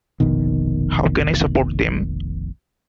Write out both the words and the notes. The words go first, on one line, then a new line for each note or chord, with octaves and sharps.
How can I support them?
F1 A#1 B2 D#3